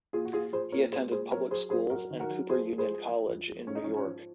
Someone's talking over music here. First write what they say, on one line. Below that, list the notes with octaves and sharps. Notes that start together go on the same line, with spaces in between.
He attended public schools and Cooper Union College in New York.
A#2 F4 G#4
F#4
A#2 F4 G#4
F3 G#4 C5
A#2 A#4 C#5
G#3 G#4 C5
A#2 G#4 C5
F#3 A#4 C#5
F#3 G#4 C5
F#2 G#4 C5
F#3 F#4 A#4
D#3
F#4 A#4
F#3
F3 G#4 C5
G#3
G#4 C5
F3
F3
F2
G#3
G#2 C#4
D#4
C#4
F3
C#4
F3